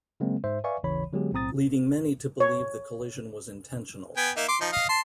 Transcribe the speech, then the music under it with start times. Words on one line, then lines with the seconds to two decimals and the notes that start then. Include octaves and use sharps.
Leading many to believe the collision was intentional.
0.20 C#3 F#3 G#3 A#3 C4
0.44 G#2 C5 E5
0.64 B4 D5 E5 F5 G#5 C#6
0.83 G#1 D#2 C#3 E3 C#5 B5
1.13 D3 F#3 G#3 B3 G4 G#4
1.32 B1 A2 C4 A#5 D#6 A6
2.40 C#5
4.17 B3 G5 G#5
4.37 A#3 D#4 E5
4.48 C6 D6
4.61 F3 D#4
4.73 D#5 F5
4.89 A5 C6